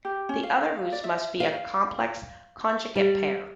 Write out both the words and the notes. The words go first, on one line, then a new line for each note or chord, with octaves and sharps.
The other roots must be a complex conjugate pair.
G4
C#4
F5
F5
D5
E5
F5
G3